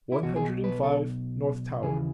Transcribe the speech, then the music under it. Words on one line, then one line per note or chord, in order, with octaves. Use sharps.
"One Hundred and Five, North Tower."
E4
B1 B2 F#4
G#4
B4
A4
D#2 C#3 E3 G#4